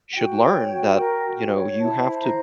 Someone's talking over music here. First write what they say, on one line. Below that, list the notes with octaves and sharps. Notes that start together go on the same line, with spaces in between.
should learn, that, you know, you have to
F#5
F#4 G5
C#5
F#4
A#4
F#4
C#5
E4 A5
C5 A5
A#5